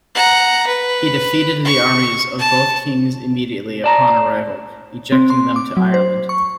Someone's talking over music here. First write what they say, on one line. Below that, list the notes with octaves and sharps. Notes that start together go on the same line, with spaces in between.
He defeated the armies of both kings immediately upon arrival, ejecting them to Ireland.
F#5 A#5
B4
C#6
A5
D5 A5 A#5
C4
C6
D6
F#3
C5
C#6